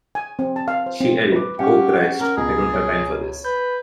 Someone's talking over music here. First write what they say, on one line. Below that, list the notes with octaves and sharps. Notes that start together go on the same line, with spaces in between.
She yelled, 'Oh, Christ, I don't have time for this.
G#5
C4
A5
F5
C5
C4
B4 D6
G3 C#4 G4 F5 F#5 C#6
C#4 A#4
C#2 B2 G#4 A#5
C#5
B4 G6